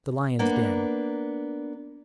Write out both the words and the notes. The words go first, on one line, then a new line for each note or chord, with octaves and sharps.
The Lions' Den.
A#3 B3 D4